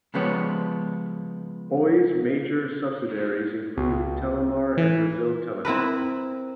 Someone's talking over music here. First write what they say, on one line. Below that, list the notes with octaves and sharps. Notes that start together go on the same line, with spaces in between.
Oi's major subsidiaries include Telemar and Brazil Telecom.
C#3 F3 G#3 B3 G4 C#5
C#2
E3
C4 E4 A#4 B4